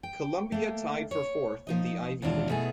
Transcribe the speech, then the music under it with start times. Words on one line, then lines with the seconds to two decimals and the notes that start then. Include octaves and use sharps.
Columbia tied for fourth in the Ivy League.
0.03 G5
0.52 A3 A#3
1.11 C#5
1.67 F3 D#4 D#5
2.22 D#2 B2 E3 D4 F4
2.49 B2 A3 B3 E4 G#4